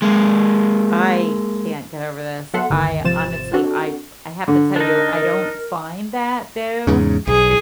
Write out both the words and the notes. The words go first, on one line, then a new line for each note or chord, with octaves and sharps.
I can't get over this. I honestly, I I have to tell you, I don't find that, though,
G#3 A#3
F#3 B3 A4 E5 F#5 C6
G1 D2 D#3
G#1 C3 F3 C5 A6 E7
C4 D4 F#4 A4
D3
D4 D#4 A#4
E2 G#2 C#3
B1 G#4